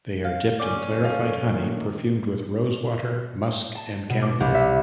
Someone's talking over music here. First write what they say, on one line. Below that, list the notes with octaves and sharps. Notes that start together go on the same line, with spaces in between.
They are dipped in clarified honey perfumed with rose water, musk and camphor.
F5
F#1 C#4 D5
A4 F5
G2 A#2 D#3 A3
A5
B2
D6
C2
E5